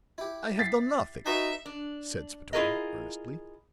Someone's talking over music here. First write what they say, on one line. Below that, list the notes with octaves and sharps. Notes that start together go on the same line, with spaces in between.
"I have done nothing," said Spatola, earnestly.
E4 G4
A6 B6 C7
D#4 F#4 B4 E5 G#5
D4
E4 F4 G4 G#4 A#4 D#5